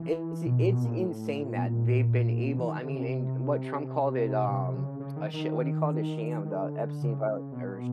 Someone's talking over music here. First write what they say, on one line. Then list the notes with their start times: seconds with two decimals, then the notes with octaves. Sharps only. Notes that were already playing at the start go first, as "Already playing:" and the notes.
It's it's insane that they've been able I mean and what Trump called it, um, a sha What do you call it? A sham. The Epstein file or sh
Already playing: E3
0.46 B2
0.59 A#2
0.72 B2
0.84 A#2
0.96 A2
1.47 A#2
1.56 B2
1.64 A#2
2.48 B2
2.59 E3
2.69 D#3
2.78 D3
2.88 C#3
2.98 C3
4.49 C3
4.75 C#3
5.00 C#3
5.16 D#3
5.33 D#3
6.45 D#3
6.51 D3
7.02 C#3
7.52 B2